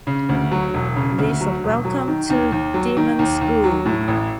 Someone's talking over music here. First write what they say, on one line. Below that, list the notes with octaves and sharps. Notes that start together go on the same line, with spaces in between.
List of Welcome to Demon School!
C#3
D2
F#3
E1
C#3
D2
F#3
E1
F#3
D#3
D#2
D#2
F#3
D#3
D#2
D#2
F#3
A2
A1